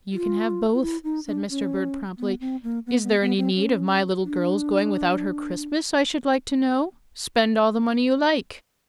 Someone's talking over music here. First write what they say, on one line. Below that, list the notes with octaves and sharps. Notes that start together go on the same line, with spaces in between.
"You can have both," said Mr. Bird, promptly; "is there any need of my little girl's going without her Christmas, I should like to know? Spend all the money you like."
F4
F4
E4
D#4
D4
C#4
B3
C4
A#3
B3
B3
B3
C4
C#4
D4